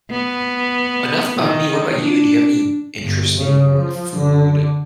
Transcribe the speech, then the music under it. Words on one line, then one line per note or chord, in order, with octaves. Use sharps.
enough about me, what about you? Do you have any interesting food
B3
D#3
D4
G1
C#3
F3
D3